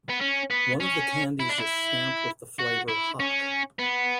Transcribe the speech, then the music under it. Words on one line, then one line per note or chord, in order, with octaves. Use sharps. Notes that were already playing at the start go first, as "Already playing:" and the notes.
One of the candies is stamped with the flavour Hock.
B3
C#4
B3
C#4
E4
D4
E4
F#4
E4
C#4
B3